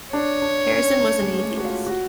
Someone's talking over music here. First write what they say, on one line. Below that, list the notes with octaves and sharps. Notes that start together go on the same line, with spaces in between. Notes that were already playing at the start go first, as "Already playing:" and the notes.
Harrison was an atheist.
D4 C#5
D4
C#4
A3
G#3
A3
F#4
F4
F#4